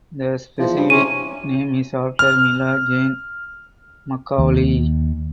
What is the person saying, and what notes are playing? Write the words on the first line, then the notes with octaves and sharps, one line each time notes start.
The specific name is after Mila Jane Macaulay.
E2 F3
G2
C3 E3 C#4 D#7
F6
D#2